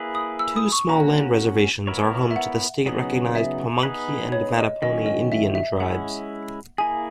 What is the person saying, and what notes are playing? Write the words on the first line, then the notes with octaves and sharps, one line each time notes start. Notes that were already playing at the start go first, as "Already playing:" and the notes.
Two small land reservations are home to the state-recognized Pamunkey and Mattaponi Indian tribes.
Already playing: A#3 E4 G#4 B4
D#6
E6
D#6
C#6
A#3 C#4 F#4 A#5
B3 E4 A#4 C#5
E5
F#5
C#3 F#3 B3 D#4 G#4
E5
B3 D#4 G#4 B4
C#5
D#5
D#3 F#3 C#4 D#5
D#5
E5
E5
G#3 C#4 E4 F#5
A#3 E4 G#4 G#5